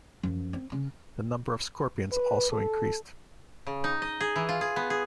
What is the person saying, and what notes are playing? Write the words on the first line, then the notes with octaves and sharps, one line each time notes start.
The number of scorpions also increased.
F#2 F3
C4
C#3 C#4
B4
A4
C#3
D#4
D#5
G#4
E3
F4
G#4
B3
G#4